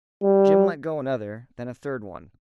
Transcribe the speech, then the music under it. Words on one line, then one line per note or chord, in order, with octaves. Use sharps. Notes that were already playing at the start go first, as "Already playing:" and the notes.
Jim let go another, then a third one.
G3